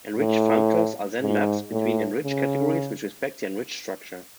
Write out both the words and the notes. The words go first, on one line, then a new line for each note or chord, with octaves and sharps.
Enriched functors are then maps between enriched categories which respect the enriched structure.
A2
G#2
A2
C#3